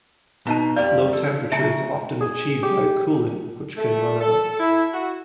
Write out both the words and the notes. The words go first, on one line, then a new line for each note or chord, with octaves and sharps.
Low temperature is often achieved by a coolant, which can run out.
B2 D#4 A5 A#5
F2 G3 D5 F5
A4
C#3 E5 A5 A#5
G#4
G4
A3
A4
E4
F#4